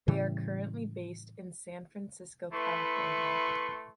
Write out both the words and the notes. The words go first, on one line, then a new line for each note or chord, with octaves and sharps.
They are currently based in San Francisco, California.
A2 C#3 E3 G3
A3 E4 B4 C6 C#6